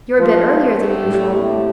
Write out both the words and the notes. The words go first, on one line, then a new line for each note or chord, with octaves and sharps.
"You're a bit earlier than usual."
A2 F3 A3 D4 G4
D3 A3 D4 G4
A2
D3 A3 C4 G4